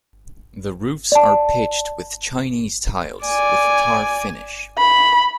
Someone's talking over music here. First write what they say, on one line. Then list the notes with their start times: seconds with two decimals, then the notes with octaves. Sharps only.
The roofs are pitched with Chinese tiles with tar finish.
1.12 D5 A5
3.24 D5 G#5
4.78 B5